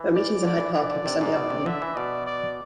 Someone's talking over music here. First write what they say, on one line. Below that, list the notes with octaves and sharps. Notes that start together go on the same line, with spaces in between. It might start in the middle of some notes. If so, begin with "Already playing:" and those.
There were meetings in Hyde Park every Sunday afternoon.
Already playing: E3
D5
D3 D5
E3
E3 D5
D3
C3
G#2
B2
C3
D3 E5
E3
B2 D5
D5